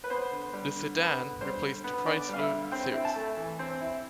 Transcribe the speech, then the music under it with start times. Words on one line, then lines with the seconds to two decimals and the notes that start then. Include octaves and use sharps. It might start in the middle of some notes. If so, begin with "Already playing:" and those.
The sedan replaced the Chrysler Cirrus.
0.04 B4
0.10 B3 C5
0.32 D3
0.53 G3
0.76 D3
0.97 B3
1.19 D3
1.41 G3 C5
1.63 D3
1.84 B3
2.06 D3 D5
2.29 G3 F5
2.39 E5
2.50 D3
2.72 C4 G5
2.94 E4
3.05 A5
3.16 A3
3.37 E3
3.59 C4
3.81 E4